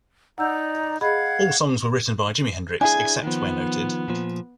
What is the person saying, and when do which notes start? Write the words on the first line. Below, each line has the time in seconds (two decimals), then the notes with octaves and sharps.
All songs were written by Jimi Hendrix, except where noted.
0.38 D#4 D5 F#5 A#5 E6 G6
1.01 G#4 D#5 F5 F#5 B5 G#6
2.81 D4 E4 G#4 G#5 G#6
3.23 D#3 F3 B3
4.08 A#2 F3